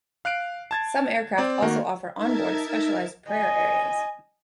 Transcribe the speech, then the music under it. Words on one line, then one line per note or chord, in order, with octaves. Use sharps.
Some aircraft also offer onboard specialized prayer areas.
F5 F#6 C7 D7
A5 G#6 A6
C4 D5
D#3 A#3 F#4
D#4 A#4 E5 A5 G#6
D#5 G#5